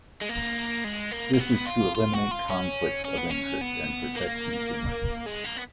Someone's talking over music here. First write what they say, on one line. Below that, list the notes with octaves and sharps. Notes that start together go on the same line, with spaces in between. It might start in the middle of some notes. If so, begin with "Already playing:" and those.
This is to eliminate conflicts of interest and protect consumers.
G#3
A#3
G#3
A#3
A#3
B3
F4
F4
F#4
F4
C#4
C#4
B3
C#4
B3
A#3
G#3
A#3
B3